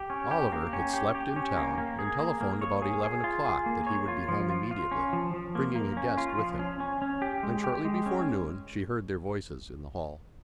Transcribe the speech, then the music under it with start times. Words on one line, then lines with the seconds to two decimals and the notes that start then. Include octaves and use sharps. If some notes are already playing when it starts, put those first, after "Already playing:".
Oliver had slept in town and telephoned about eleven o'clock that he would be home immediately, bringing a guest with him: and shortly before noon she heard their voices in the hall.
Already playing: G4
0.10 C#4
0.31 G4
0.52 A#3
0.73 C#4
0.93 G4
1.15 G4
1.36 C#4
1.57 A#3
1.78 A#3
1.99 G#4
2.20 A#3
2.41 A#3
2.61 C#5
2.82 G#4
3.03 G#4
3.24 F4
3.45 G#4
3.66 A#3
3.87 C#5
4.08 F4
4.28 F3
4.50 F4
4.71 F4
4.91 C#4
5.13 F3
5.33 F3
5.55 A#3
5.76 A#3
5.97 C#4
6.17 F4
6.38 F3
6.59 C#4
6.80 C#4
7.02 C#4
7.22 G4
7.43 G#3
7.64 G4
7.85 G#3
8.06 C#4